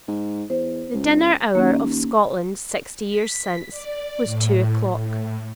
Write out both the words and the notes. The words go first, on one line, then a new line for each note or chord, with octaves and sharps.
The dinner hour of Scotland Sixty Years Since was two o'clock.
G#2
E2 C5
C#2
D#2 A#3 C#4
B6
D5
A2
A2